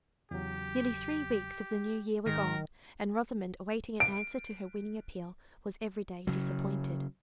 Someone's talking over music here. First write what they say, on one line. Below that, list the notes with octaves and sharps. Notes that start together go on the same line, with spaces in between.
Nearly three weeks of the new year were gone, and Rosamond, awaiting an answer to her winning appeal, was every day disappointed.
E2 C#3 F#3 G4
G#2 D#3 G#3 A#4
D7
C#3 F#3